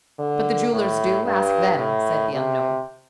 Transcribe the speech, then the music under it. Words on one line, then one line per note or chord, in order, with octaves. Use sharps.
"But the jewelers do: ask them," said the unknown.
D3
A2
G2
A2
C3